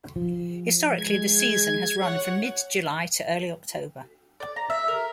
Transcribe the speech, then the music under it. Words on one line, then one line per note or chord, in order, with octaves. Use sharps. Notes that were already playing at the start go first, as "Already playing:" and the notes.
Historically, the season has run from mid-July to early October.
F3
G#3 G#6
C#5 F#5
D5
A#5
E5
A#4